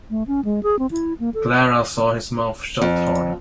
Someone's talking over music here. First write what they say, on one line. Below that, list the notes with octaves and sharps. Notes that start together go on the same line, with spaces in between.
Clara saw his mouth shut hard.
A3
C#4
G#3
G#4
C4
E4
A#3
A4
F2